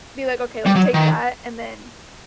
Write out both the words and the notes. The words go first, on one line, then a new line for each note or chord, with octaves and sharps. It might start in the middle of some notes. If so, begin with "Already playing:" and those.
be like, okay, like, take that, and then
G3
F#3
D#3